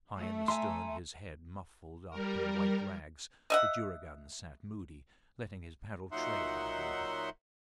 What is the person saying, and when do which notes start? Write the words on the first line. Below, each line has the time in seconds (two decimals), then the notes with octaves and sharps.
High in the stern, his head muffled up in white rags, the juragan sat moody, letting his paddle trail in the water.
0.19 A3
0.48 E5 G#5 A#5 C6
2.10 G3 A#4
3.50 D#5 E5 F#5
6.12 A#2 F#3 D#4 E5 F#5 C6